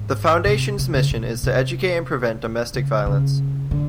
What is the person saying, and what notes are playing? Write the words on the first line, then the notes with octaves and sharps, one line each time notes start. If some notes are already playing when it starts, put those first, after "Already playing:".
The Foundation's mission is to educate and prevent domestic violence.
Already playing: G#2
C3
C3
C#3
B2
C3
C#3
C#3
D3